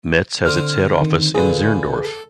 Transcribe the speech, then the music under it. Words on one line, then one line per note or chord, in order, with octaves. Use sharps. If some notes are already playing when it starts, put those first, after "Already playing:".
Metz has its head office in Zirndorf.
D3 C4 D6 F6
D#3
A#2 D3 G#4 B4
A4